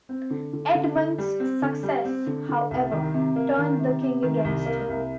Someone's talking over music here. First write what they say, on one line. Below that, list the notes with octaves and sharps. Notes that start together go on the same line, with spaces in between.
Edmund's success, however, turned the king against him.
C4
D3
D3
D3
D3
G3
C4
D3
G3
C4
D3
D3
C2
D#3
C3
A#3
D#3
C3
C3
D#3
C2
A#3
C2